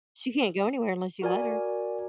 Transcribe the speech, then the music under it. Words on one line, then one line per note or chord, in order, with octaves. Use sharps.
she can't go anywhere unless you let her.
F#4 A#4 D5 G#5